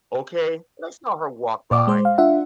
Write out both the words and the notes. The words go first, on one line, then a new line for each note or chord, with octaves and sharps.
okay, that's not her walk by
A#2 D5 D6
G#3 C5
F5
D4 F4 E5 F#5